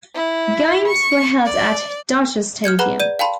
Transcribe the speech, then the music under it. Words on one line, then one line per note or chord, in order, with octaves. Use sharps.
Games were held at Dodger Stadium.
E4
C#6
D5
F6 G6 G#6 C#7
G#4 B4 F#5 A#5 B5 F#6
D5 G6 D#7
F5 G5 A5 B5 C6